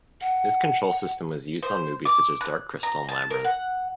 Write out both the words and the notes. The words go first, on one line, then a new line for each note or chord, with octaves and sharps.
This control system was used on movies such as Dark Crystal and Labyrinth.
F#5
C5
D6
F#6
A#5
A5
A#4
F#5